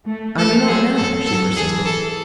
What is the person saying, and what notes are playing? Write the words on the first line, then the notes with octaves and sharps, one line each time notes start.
"I do not know," she persisted.
A3
A3 A4
F#3 G#4
A4
F#3 A4
E3 G#4
A4